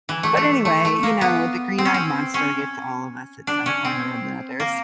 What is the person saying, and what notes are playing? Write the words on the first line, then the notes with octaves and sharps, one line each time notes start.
But, anyway, you know, the green-eyed monster gets all of us at some point or another, so.
E3
A3
A3
A3
A3
A#3
B3
C4
C#4
C4
C#4
D4
C#4
C4
A#3